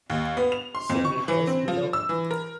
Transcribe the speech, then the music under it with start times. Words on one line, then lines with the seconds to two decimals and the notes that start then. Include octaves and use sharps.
See details below.
0.10 D#2
0.37 B3
0.52 F7
0.75 C6
0.90 F2
1.05 C#6
1.28 E3
1.47 C4
1.68 F3
1.93 E6
2.09 E3
2.31 A#4